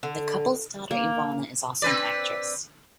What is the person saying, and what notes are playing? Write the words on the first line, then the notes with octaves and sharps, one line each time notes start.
The couple's daughter Ivana is also an actress.
D3
A#3
C4 B4 D5